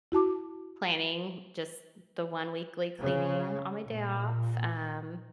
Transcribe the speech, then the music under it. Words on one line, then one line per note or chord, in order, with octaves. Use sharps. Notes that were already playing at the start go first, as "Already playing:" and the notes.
planning just the one weekly cleaning on my day off, um,
E4 F#4 A5 D6
C#3
A#2